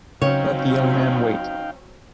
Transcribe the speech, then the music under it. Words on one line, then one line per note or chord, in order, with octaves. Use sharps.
Let the young man wait.
C#3 F#3 C4 C#4 D#4 C#5 F5 G5